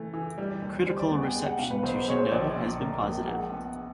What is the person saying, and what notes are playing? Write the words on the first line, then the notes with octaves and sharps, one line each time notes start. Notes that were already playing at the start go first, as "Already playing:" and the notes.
Critical reception to Shindo has been positive.
Already playing: E3 A3
E3
G3
D#2
G3 C5
D5
B3 G#5
G5
G#3
F#5
B2 F5
B4
B1 C5
C5
G#3 C#5
C5
A#1 D5
A#2
A#3
A#1
G#3 F#5
B3